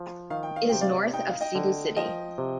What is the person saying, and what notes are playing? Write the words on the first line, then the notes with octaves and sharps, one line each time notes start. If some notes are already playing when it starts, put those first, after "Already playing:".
It is north of Cebu City.
Already playing: F3
D#3 F5
G5
F5
C3 G5
D5 F5
D#4 G5
F5
D#5 G5
D3
F3 D#5 G5
C3